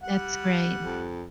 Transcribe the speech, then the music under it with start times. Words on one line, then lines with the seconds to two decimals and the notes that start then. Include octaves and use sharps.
That's great.
0.04 G3 F#5
0.84 F2